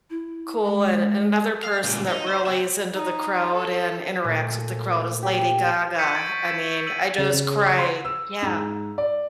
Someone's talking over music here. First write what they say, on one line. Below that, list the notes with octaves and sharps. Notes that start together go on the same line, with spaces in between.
cool and and another person that really is into the crowd and interacts with the crowd is Lady Gaga, I mean, I just cry, yeah.
E4
G#3
F5
C#2 A#2
D#4
C5
G4 E5
D#4
A4
A#2 A3
G4
C#6 E6 G6 B6 C#7 D#7
G#6 A6 D7
E6 E7
E6 D#7 F#7
C#3
C#3
C6
E6
G#2
D5